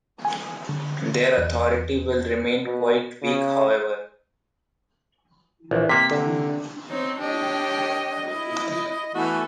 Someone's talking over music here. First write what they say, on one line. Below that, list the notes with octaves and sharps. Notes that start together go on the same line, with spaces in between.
Their authority will remain quite weak however.
G#5
D3
E2
B2
C#3
A#1 E3
C3 A#3 B6
D3
C4 D#4 C#5
D4 G4 C#5 D#5
E4
E3 A3 B3 F#4 A4 G#5